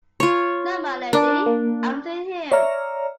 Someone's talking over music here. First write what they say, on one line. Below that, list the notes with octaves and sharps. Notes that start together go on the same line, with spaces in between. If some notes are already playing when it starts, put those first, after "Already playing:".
No, my Lady, I've seen him!
F4 C#5
D4 A#4 D5 A5
A#3
C#5 D5 E5 A#5 F6